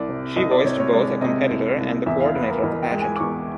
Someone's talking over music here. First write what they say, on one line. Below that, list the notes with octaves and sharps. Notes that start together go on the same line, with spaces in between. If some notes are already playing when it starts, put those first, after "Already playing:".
She voiced both a competitor and the coordinator of the pageant.
Already playing: C2 D5
C3
C2 D#5
D5
C3 C#5
C#5
G#3 D5
C3 D#5
C2
C2
E2 E5
F5
B3 B4
A#4
E2 D#5
G5
G#3
G#5
D6
E2 C#6